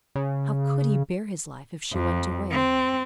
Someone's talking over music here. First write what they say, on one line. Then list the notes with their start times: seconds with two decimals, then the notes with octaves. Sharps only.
How could he bear his life if she went away?
0.16 C#3
1.93 F2
2.51 C4